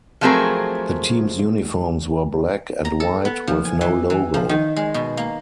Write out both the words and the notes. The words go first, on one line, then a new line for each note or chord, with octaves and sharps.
The team's uniforms were black and white, with no logo.
F3 F#3 A3 C4 G#4 A#4
A#5
A4
B3
F3
G#5
E3
E3
F3
D#3
G#3
B2
A#3